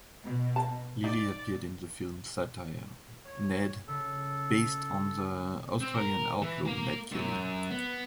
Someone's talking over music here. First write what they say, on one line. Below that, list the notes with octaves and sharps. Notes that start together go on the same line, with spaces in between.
Lilley appeared in the film satire, "Ned" based on the Australian outlaw Ned Kelly.
B2
A5
D#4 D5
C#5
C#3 A4
C4
A#4
E3
A#3 F5
F#2
B3